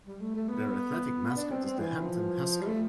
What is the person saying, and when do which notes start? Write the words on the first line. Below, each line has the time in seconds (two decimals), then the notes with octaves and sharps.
Their athletic mascot is the Hampton Husky.
0.06 G3
0.20 A3
0.36 A3
0.49 B3
1.37 D4
1.51 C4
1.65 C4
1.80 E3
2.02 F3
2.61 G3
2.67 A3